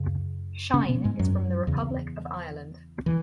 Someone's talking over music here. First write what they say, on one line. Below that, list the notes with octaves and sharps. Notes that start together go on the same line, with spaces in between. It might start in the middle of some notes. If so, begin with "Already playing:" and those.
Shine is from the Republic of Ireland.
Already playing: F#2 C#3
C#3 C#4
B2 B3
G#2 G#3
F#2 F#3
E2 C#3
E3